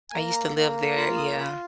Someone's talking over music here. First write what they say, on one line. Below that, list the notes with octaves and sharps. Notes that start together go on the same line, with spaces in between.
I used to live there, yeah.
G#5
A#3 A#5
A#3
F4 B5
D#6
F4 B5